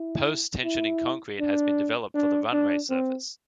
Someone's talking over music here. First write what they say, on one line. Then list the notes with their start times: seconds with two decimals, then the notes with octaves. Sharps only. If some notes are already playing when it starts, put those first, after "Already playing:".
Post-tensioning concrete has been developed for the runway surface.
Already playing: E4
0.64 E4
1.40 D4
2.15 D4
2.53 D4
2.90 C4